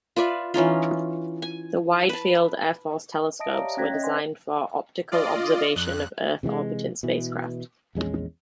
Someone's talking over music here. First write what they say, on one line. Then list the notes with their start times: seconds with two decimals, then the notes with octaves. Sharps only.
The wide-field Air Force telescopes were designed for optical observation of Earth-orbiting spacecraft.
0.16 F4 B4 D5 E5
0.54 E3 C#4 D#4 F4
1.42 G#5
2.09 B4 A5
3.39 D#5 E5 A5 D#6 A#6 D7
3.53 G4 C#5 D5 F5 A#5
3.77 C#4 G5 F#6 G#6 A#6 B6
3.91 C#5 D#5 E5
4.04 B4 C5 D5 F#5 G#5 C6
5.12 F4 D5 D#5
5.76 F2 F#6
6.43 C3 E3 G3 G#3
7.03 B2 E3
7.95 A#1 E2 G#3 C#4